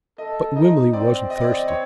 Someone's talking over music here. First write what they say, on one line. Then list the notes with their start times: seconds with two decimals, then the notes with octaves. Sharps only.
But Wimley wasn't thirsty.
0.18 A4 D#5
0.56 D#4 D#5
0.93 C4 D5
1.30 D#5
1.41 D5
1.52 D#5
1.68 C#5